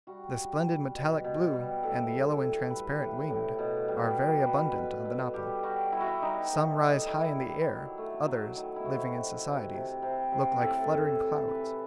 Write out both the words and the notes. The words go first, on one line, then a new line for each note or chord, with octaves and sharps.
The splendid metallic-blue, and the yellow and transparent-winged, are very abundant on the Napo; some rise high in the air; others, living in societies, look like fluttering clouds.
G3 F#4
G3
G3
B2
B2
G3
A2 A4
G3
A2
G3 B4
A2
A2
B2
G3
G3
B2 B4
B2 B4
B2 A4
G3 G4
G3 F#4
G3 E4
F#4
E4
G3 D#4
A2
G3
D#3 E4
D#3
F#3
A3
F#3
D#3
E4
C3 F#4
C3
C3
C3
C3
C3
A2 A4
A2
E3
E3 B4